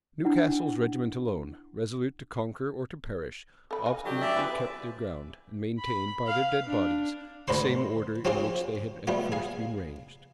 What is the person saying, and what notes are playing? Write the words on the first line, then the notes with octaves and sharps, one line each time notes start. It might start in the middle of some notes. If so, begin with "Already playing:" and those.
Newcastle's regiment alone, resolute to conquer or to perish, obstinately kept their ground, and maintained, by their dead bodies, the same order in which they had at first been ranged.
D4 E4 F#5
A4 B5
D#5 F5 G#5
D3 F#3 G4
C#4 D5 E5
E4 G#4 B4 C5
B5
F5
D4
D2 G#2 B4 C5 C6
C4 C#4 F4 G4 G#4 C5
G3 A3 B3 F4
G#4 F5